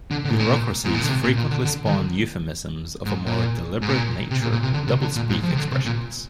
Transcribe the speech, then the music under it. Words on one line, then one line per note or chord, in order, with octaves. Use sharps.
Bureaucracies frequently spawn euphemisms of a more deliberate nature, "doublespeak" expressions.
D3
D3
G#2
A#2
G#2
A#2
D3
C3
A#2
A#2
D3
D3
D#3
D3
G#2
A#2
G#2
A#2
C3
A#2
A#2
C3
D3
C3
D3
A#2
G#2
F3
C3
D3
C3
A#2